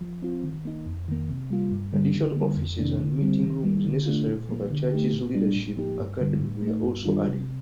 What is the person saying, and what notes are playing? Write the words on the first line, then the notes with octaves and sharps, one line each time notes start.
Additional offices and meeting rooms necessary for the church's Leadership Academy were also added.
F3
C4 F4
D#3
A#3 D#4
F2
D#3 A#3
C3
G3 A#3 F4
G2
D3 G3 A#3
D3
G3 A#3
F2
C3 D#3 A#3 D4
D3
G3 C4
D#3
G3 A#3
D3
A3 D4 F4
A#2
F3 A#3
D3
A3 D#4 G4
A#2
G3 D4
A2
F3 A#3 D#4 G4
G2
D3 G3
A2
A3
D#4
G2
D#3 G3 D4 F4
C3